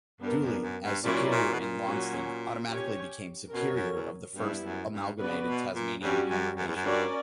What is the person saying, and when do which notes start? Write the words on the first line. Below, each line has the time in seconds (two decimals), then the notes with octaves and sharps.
Dooley as Superior in Launceston automatically became Superior of the first amalgamated Tasmanian Congregation.
0.21 G2 B3 D4 A#4
0.42 F#2
0.62 F#2
0.83 G2
1.04 A#2 F#3 C#4 E4 A#4 D5
1.31 A#2
1.54 B2
1.60 A#2
1.87 F#3 C#4 F#4
2.70 C#4 G4 C#5
3.53 B2 C#4 F#4 A#4 C#5
3.74 F#2
3.95 E2
4.36 G2 G3 B3 E4
4.64 F#2
4.92 G2
5.20 C#3 B3 F#4 B4 D5
5.46 B2
5.75 A#2
6.02 G2 G3 C#4 F#4
6.30 F#2
6.57 F#2
6.67 E2
6.76 F#2
6.85 G2 C#4 F#4 A#4 D5